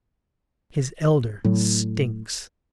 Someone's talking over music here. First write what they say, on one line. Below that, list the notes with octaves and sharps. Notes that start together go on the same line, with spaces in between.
"His elder stinks."
A2 F#3